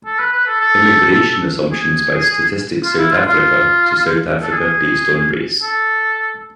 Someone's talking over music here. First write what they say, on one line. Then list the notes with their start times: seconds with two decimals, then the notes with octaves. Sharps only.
Immigration assumptions by Statistics South Africa to South Africa based on race.
0.05 A4
0.18 B4
0.32 B4
0.47 A4
0.60 A4
1.72 G#4
2.84 F4
2.98 E4
3.12 F4
3.26 F4
4.42 A4
4.52 G#4
5.62 A4